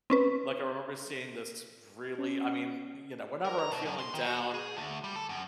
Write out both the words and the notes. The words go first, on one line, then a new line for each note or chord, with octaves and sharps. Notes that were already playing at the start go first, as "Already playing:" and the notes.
Like, I remember seeing this really I mean, y you know, whenever I'm feeling down,
C4 C#4 B4
C#4
A#4
A#5
B2
F#2
C6
D#3
F#4
G#4
D2
G3
A4
F#2